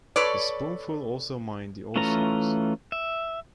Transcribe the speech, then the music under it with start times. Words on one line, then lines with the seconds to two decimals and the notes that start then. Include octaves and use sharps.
The Spoonful also mined the old songs.
0.16 A4 B4 C#5 D5
1.96 E3 A3 C#4 F4 A#5
2.92 E5